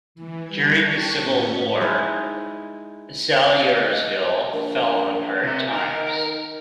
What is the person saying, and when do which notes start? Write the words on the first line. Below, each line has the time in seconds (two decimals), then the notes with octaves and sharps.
During the Civil War, Salyersville fell on hard times.
0.15 E3
0.45 E3 G3 G6 G#6
0.82 G5 A5 C#6 F#6 A6 B6
1.19 A2 B3 C#4 B6 C#7
1.81 G#3 D#4 E4
3.77 D#5
4.53 A#1 A#4
5.43 C3 E5
5.73 D#3 A#4 D#5